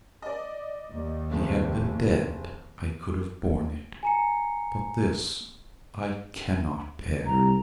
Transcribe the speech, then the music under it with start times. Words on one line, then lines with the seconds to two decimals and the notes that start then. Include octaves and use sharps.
'If he had been dead I could have borne it, but this I cannot bear!'
0.22 D5 D#5
0.92 D#2
1.31 F1 G#3 C4
4.03 G#5 A#5 C#7
7.26 C2 A#5